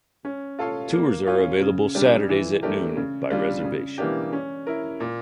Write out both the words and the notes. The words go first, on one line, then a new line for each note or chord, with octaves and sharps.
Tours are available Saturdays at noon by reservation.
C#4
F4 A4 C#5 F5
A#3
C#4 F4
C#3
G3 D4 G4
E3
A3 D4 G4 A#4
C#3
G3 D4 F4
C#3
E3 A#3 D4 G4
C#4
E4 A#4
A#2